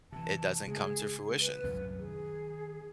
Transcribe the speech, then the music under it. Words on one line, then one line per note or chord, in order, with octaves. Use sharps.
it doesn't come to fruition.
C3 E3 A5
C#3 G#3 G#4
B4
C2 F#2 A2
D#3 G#4